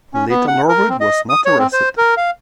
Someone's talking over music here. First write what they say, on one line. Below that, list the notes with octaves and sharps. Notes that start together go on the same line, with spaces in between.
Melita Norwood was not arrested.
C#4
B3
F#5
A#4
C4
D#5
D#6
C#5
C4
C5
A#4
F5